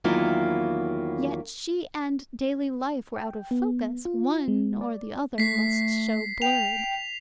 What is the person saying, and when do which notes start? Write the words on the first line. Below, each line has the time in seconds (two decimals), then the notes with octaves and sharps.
Yet she and daily life were out of focus: one or the other must show blurred.
0.04 E2 D#3 F#3 A#3 E4 F4
3.16 G5
3.51 B3
4.05 F4
4.48 G#3
4.81 D5
5.38 A3 B6 C7
6.42 G5 F7